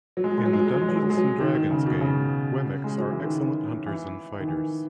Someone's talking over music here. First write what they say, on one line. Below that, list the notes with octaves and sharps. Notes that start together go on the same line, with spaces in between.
In the Dungeons and Dragons game, Wemics are excellent hunters and fighters.
F#3
G#3
F#3
G#3
F#3
G#3
F#3
G#3
F#3
G#3
F#3
G#3
F#3
G#3
F#3
D#3
D#3
C#3
B2
C#3
G#3
F#3
E3
D#3
E3
D#3
E3